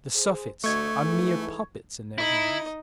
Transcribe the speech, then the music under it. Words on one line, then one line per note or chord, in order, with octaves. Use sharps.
The suffetes are mere puppets in their hands.
G#4 C5
D2 A3 D#5 C#6 G#6
G#2 E3 A4
D#4 E4 D#5